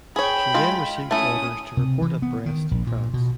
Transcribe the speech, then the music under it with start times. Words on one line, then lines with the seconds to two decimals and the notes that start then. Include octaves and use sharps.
She then received orders to report at Brest, France.
0.16 G#4 C#5 G5 B5
0.54 G#3 F4
1.11 A3 C#4 E4 D#6
1.77 C3
2.02 E3
2.22 B3
2.46 D#3
2.71 A#1
2.87 A#2
3.14 B2